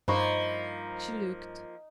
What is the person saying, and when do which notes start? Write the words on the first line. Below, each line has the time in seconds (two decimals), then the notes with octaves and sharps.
She looked.
0.08 G2 F3 A#3 D#4 C5 B5 C#6